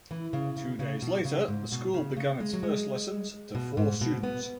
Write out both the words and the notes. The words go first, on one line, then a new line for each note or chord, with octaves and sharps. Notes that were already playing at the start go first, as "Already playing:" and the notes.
Two days later, the school began its first lessons to four students.
E3
C#3
C#3
C#3
B2
C#3
G#2
B2
C#3
C#3
G#3
F#3
G#3
B2
G#2
B2
B3